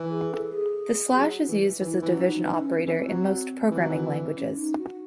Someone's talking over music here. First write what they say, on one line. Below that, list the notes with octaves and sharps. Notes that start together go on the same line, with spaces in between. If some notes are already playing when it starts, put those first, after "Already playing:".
The slash is used as a division operator in most programming languages.
Already playing: E3
G#4
A4
G#4
F#3
E3
E3 E4
E3 E4
F#3 C#4
D#4
E3 C#4
D#4
C#4
C4
E3
F#3
E3
F#3
E3
C#4
D#4
F#4